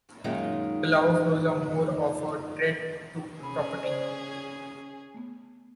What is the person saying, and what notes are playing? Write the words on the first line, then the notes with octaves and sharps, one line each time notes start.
The lava flows are more of a threat to property.
F#2 A#2 D#3 G#3 D#4 F4
C3 C#4 G#4 B5
C#3 C5 D5
A3 B3